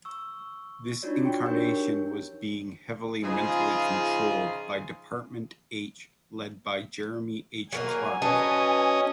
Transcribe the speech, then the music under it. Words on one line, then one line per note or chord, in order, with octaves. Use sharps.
This incarnation was being heavily mentally controlled by Department H, led by Jermery Clarke.
C#6 E6
D4 D#4 F4 F#4 C#5 D5
F#4 G5 C#6
D4 D#4 G4 A#4 C#5 G6
C#3 F3 D#4 F4 G#4
F#3 A#3 A#4 G#5
F#3 C#4 B4 D#5 A5